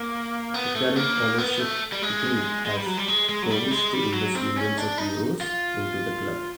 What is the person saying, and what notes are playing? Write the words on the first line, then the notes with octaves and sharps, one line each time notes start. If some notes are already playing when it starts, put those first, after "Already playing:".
The current ownership group has "promised to invest millions of euros" into the club.
Already playing: A#3
B3
A3
A#3
B3
A3
G3
G#3
G#3
G3
F#3
G3
G#3
G#3
F#3
G3
G#3
G3
F#3
C4
C#4
D4
D#4
F4